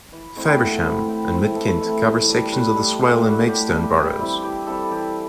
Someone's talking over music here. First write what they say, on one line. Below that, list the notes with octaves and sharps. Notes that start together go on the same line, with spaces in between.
Faversham and Mid Kent covers sections of the Swale and Maidstone boroughs.
E3
A3 C4 E4 G5
E3 F#5
A3 C4 E4
E3 G5
A3 C4 E4
E3 A4
A3 C4 E4
A2
G3 D4
A2 B4
G3 D4 A4
A2 G4
G3 D4 F#4
A2 G4
G3 D4
E3 G4
G3 C4 E4
E3 G4
G3 C4 E4 A4
E3 G4